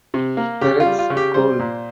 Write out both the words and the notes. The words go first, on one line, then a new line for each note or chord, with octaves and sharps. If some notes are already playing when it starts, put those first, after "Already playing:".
Peretz School.
C3
A#3
C#3 G4
F4
G3
F4
C#3
G4
G3 C5
A#2